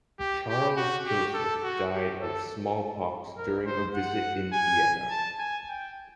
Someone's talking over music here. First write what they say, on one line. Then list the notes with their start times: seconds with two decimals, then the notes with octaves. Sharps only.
Charles Joseph died of smallpox during a visit in Vienna.
0.19 G4
0.49 G4
0.77 F#4
1.06 G4
1.34 A4
1.64 F#4
1.93 G4
2.22 A4
3.37 A#4
3.66 C5
3.95 F#5
4.53 G#5
5.10 A5
5.39 G#5
5.69 G5